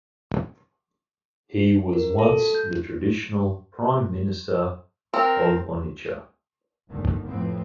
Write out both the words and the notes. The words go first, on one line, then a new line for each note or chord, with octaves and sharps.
He was once the traditional Prime Minister of Onitsha.
A#4
A4
F#4
G6
C4 A#4 G5
G1 D#2 G#2 D3 D#3
F2 A2 E3 B3 C4